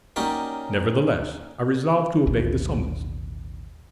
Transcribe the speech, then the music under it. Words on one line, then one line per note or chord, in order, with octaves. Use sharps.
Nevertheless, I resolved to obey the summons.
F#3 A#3 C#4 D#4 G4 D5
A1 D#2 B2